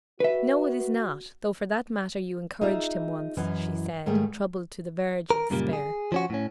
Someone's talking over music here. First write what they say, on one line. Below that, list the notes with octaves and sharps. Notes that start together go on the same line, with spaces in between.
"No, it is not; though for that matter you encouraged him once," she said, troubled to the verge of despair.
F#4 B4 E5
D#4 F4 G#4 E5
F#2 E3 D#5
G#2 D#3 G3 A3 G#4
A#4
F#2 A#2 C#3 G3 A#3
G#4
F3 C#4 F#4
A2 C#4